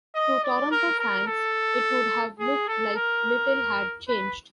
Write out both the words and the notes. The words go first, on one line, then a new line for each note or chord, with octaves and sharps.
To Toronto fans, it would have looked like little had changed.
D#5
D5
A#4
A#4
A4
G#4
A4
A#4
B4